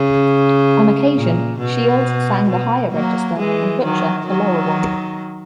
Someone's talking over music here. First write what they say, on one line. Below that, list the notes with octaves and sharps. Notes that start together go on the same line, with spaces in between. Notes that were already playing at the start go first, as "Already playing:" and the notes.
On occasion Shields sang the higher register and Butcher the lower one.
Already playing: C#3
A#2
B2
B2
F#3 A#3
E3 G#3
D#3 F#3
D#3 F#3